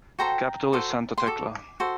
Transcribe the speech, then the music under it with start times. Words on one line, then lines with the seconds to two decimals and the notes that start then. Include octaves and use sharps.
The capital is Santa Tecla.
0.19 F#4 A4 C5 G5 A#5
0.73 F#4 A4 C5
1.18 C6
1.26 F#4 A4 D6
1.80 F#4 A4 C5